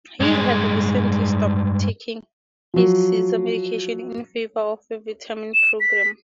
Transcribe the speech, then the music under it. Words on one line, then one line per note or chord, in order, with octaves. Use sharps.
He had recently stopped taking his seizure medication in favor of a vitamin program.
G2 G#3
F3 F#3
E7
B6